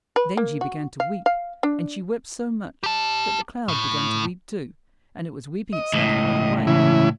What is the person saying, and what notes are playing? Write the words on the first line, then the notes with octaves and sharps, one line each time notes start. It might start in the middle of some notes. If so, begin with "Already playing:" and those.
Then she began to weep; and she wept so much that the cloud began to weep too, and it was weeping itself quite away.
B4
A#3
F#4
F5
F5
D4
G4 A5
A2
D#5
C#2 A2
C#3 E3 E4